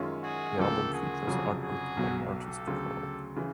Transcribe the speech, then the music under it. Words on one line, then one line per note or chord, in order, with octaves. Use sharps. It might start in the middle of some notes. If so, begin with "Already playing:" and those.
The album features artwork by the artist Coop.
Already playing: F#2 D#3 G#3 C#4 F4
F#4 G#4
D2 C#3 F3 A#3 G4 A4
F#4 G#4
F1 F2 C#3 F#3
F#4 G#4
B1 B2 F#3
G4 A4
D2 C#3 F#3
C#3 E3